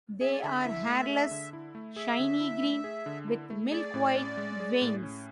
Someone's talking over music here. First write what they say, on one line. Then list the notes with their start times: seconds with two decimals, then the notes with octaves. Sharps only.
They are hairless, shiny green, with milk-white veins.
0.21 G#4 E5
0.31 D5
0.41 D3 E5
0.65 E4
0.87 A3
1.09 G#4
1.31 D3
1.53 E4
1.75 A3
1.96 G#4 E5
2.19 D3
2.40 E4
2.62 A3
2.84 G#4
3.06 D3
3.28 E4
3.50 A3
3.72 G#4 D5
3.94 A2
4.15 C#4
4.37 G#3
4.60 G#4
4.82 A2
5.03 C#4